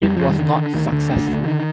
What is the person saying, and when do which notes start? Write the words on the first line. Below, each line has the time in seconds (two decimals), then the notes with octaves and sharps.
It was not successful.
0.03 F2 G3
0.17 F2 F3
0.29 D#3 G3
0.39 D3
0.57 D3
0.74 D2 D#3
0.92 D2 D3
1.10 D2
1.28 D2
1.45 D3 D#3